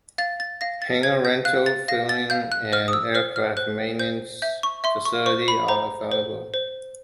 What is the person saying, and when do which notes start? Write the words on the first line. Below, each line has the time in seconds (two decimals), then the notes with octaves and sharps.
Hangar rental, fueling, and aircraft maintenance facilities are available.
0.18 F5 A6
0.40 A6
0.61 F5 A#6
0.82 A6
1.03 C5 G#6
1.25 G6
1.45 F5 F#6
1.66 A6
1.88 F5 A#6
2.09 A6
2.30 F5 G6
2.52 F#6
2.72 C5 F6
2.88 D#6
2.93 E6
3.15 C5 F6
3.36 F6
3.57 C5 F#6
3.99 C5 G6
4.42 E5 G6
4.63 C#6
4.84 E5 C6
5.05 C#6
5.26 C5 C#6
5.48 B5
5.68 C5 A#5
6.12 C5
6.54 C5